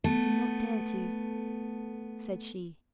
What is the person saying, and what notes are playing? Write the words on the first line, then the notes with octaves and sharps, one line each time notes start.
"I do not dare to," said she.
A3 B3